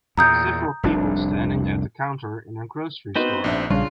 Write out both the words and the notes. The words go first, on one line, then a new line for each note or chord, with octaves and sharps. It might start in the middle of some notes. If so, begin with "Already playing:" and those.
Several people standing at a counter in a grocery store.
E2 A#2 A#5 D#6 G6
F1 C2 D4
B3 C4 D#4 F#4 B4 C5
A#1 D4 E5
A#1 C#3 G3 D4 F4